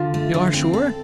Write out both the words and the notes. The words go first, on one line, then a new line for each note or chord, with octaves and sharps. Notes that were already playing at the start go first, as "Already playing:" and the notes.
"You are sure?"
Already playing: D3 F4
A3
D3
C4
A4